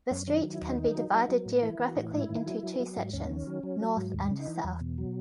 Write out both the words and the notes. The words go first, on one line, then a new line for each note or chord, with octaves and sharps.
The street can be divided geographically into two sections, North and South.
F#2 C#4
D#3 C#4
F#3
E4
D#2 D#4
D#3
F#3
F#3
F#3
A2
E3 E4
E3
F#4
A2
G#2 E4
D#3
F#3
F#3
F#3
G#2
D#2 C#4
D#3
F#3
F#3
F#3
G#2
D#2
C#3
D#4
E3
E2
B2
F#3